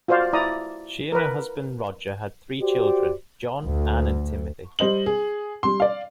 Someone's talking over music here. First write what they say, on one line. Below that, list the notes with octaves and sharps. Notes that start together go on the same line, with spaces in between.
She and her husband, Roger, had three children: John, Anne and Timothy.
F4 F#4 C5 D5 F5
E4 D5 A#5 D#6
A#4 B4
F#4 G4 C5 D5
D2
G3 C5 D#5 F#7
G#4
G3 C6
D5 F5